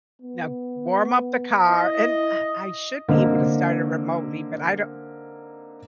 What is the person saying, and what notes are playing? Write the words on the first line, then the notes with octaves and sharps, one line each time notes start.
Now warm up the car, and, ah, I should be able to start it remotely, but I don't
B3
E4 D#5
D3 A#3 C4 D#4